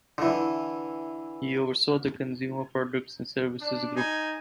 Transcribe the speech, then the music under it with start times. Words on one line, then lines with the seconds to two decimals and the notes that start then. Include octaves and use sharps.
He oversaw the Consumer Products and Services Group.
0.18 D3 E3
3.60 D4
3.96 D#4 G#5